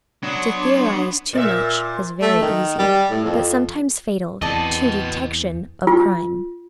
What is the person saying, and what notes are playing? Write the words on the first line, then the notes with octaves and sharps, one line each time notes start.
To theorize too much was very easy, but sometimes fatal to detection of crime.
F#3 B3 D4 C#5 F#5 C6 D#6
A#2 D5 E5
A3
D#3
G3
A2
F2
E2 C4 G#4 B4 D5 D#5 A5
F4